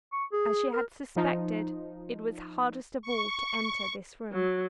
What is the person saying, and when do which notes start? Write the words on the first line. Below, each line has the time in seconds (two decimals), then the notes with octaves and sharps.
As she had suspected, it was hardest of all to enter this room.
0.12 C#6
0.32 G#4
0.73 A#4
1.16 F3 D#4
3.02 C#6
4.32 F#3